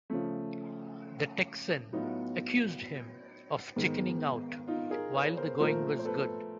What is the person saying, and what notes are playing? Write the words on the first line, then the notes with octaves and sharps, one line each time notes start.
The Texan accused him of chickening out while the going was good.
C#3 F3 A3
A2 F#3 B3 D#4 F4
G#2 D#3 G#3 B3
D#4 F4
G#4 A#4
B4 C#5
A#4 C5
A#2 F3 A3 A#4 C5
C5
A4 B4